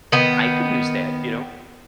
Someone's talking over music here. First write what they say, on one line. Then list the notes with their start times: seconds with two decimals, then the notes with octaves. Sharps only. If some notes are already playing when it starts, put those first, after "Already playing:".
"I could use that," you know.
0.12 D#3 B3